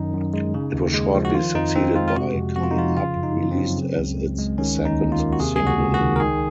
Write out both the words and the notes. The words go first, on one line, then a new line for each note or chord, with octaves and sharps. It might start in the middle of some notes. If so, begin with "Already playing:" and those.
It was shortly succeeded by "Coming Up" released as its second single.
Already playing: F#2 D#3 D#4
F#2
G#3
C#3
D#2
G#3
F3
F#4
D#3 F4
F2 D#4
F2 C4
G#3 F4
F4
C3 F#4
F2
F2 F#4
F4
D#4
F3 F4
C#3 F4
F#2
D#4
F#2
C4
F#3
C#3
C#2
C#2
G#3
D#3 C#4
D#2
D#4
D#2
F4
A#3
F#4
C3 G#4
C#2 G#4
F#4
C#2
F#4
D#3
A#4
D#3 G#4